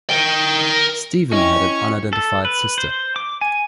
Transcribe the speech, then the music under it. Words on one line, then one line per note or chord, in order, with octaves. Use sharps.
Stephen had an unidentified sister.
A#4 G5
C#4 E4 C#5 D#5 G5 C#6
A4
B4
C5
D6
G#5